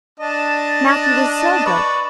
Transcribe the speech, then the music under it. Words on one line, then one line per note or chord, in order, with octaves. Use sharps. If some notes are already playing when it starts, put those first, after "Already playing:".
Matthew was so good.
D4 D#5 A5
B4 D5 C#6